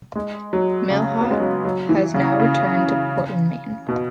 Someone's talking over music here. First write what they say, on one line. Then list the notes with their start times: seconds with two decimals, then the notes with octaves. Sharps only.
Mailhot has now returned to Portland, Maine.
0.16 G#3
0.53 F#3
0.90 C#3
1.21 B3
1.31 G#3
1.40 F#3
1.65 F#3
1.89 E3
2.14 C#3
2.40 C#3
3.88 B2